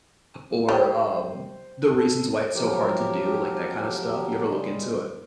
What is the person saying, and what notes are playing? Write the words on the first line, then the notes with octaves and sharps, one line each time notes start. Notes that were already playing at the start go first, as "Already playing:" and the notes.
or um, the reasons why it's so hard to do, like, that kinda stuff? You ever look into it?
G3 C5 G5
A4
F3 F#3 G4 A#4
C#3 G3 G#3